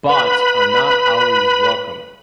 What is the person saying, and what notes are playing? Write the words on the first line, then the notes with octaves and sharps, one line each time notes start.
Bots are not always welcome.
B4 B5